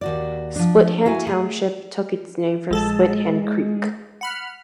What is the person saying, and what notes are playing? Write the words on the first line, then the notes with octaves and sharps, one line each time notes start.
Splithand Township took its name from Split Hand Creek.
D#2 F#4 D5
F3 D4
E4 F#4 F5 G#5
A3 G#4
A#1 G#3 A4 A5
F#5 B5 F6